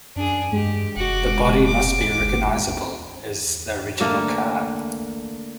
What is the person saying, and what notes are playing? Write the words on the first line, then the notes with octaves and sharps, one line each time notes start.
The body must be recognizable as the original car.
F#2 D4 G#4
G2 G#3 G4
F1 F#4 D6
D6
G1
D3 A3 A#3